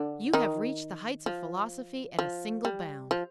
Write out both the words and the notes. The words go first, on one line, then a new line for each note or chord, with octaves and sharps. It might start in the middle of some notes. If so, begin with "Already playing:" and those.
"You have reached the heights of philosophy at a single bound."
Already playing: D3 D4
D#3 D#4
F3
F3
G3
F3